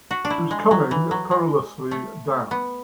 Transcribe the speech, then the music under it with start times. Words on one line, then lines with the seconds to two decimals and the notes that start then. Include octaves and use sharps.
She was coming perilously down.
0.11 F#4
0.25 D4
0.30 E4
0.51 G#3
0.71 F#3
0.91 E3
1.11 F#3
1.31 G#3
1.91 A3
2.51 B3